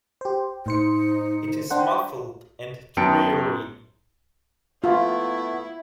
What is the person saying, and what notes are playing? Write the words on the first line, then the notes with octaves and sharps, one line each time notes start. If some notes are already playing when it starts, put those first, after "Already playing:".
It is muffled and dreary.
G4 C5
A2 D#4 C5 C#7
D4 C5 F#5 G5
F#2 B3 G5 A5 C#7 D7
A3 B3 E4 F4